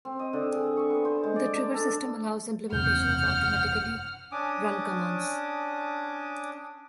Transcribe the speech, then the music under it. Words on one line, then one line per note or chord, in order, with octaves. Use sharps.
The trigger system allows implementation of automatically run commands.
C4
D#5
D3
G#4
C#6
B3
C5
G#3
D5
D4
A4
F#1 E2 C3 F#5 F6 G6
C#4 D4 D6 D#6